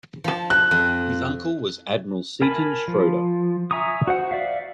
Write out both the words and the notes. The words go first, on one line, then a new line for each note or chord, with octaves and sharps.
His uncle was Admiral Seaton Schroeder.
F3 A5
F#6
F2
A#4 G#5 A5 B5
F3
E5 G#5 A#5 C#6 D#6
F#4 C5 F#5
D5 E5 F5